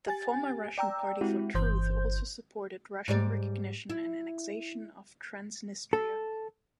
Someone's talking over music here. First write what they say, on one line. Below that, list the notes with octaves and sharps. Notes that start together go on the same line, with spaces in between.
The former Russian party For Truth also supported Russian recognition and annexation of Transnistria.
G4 G#5 A6
D5 G5 A#5 E6
G#3 C4 E4 F#4 G4
G1 E3 C5 G6
G#2 G3 D5
E4
A4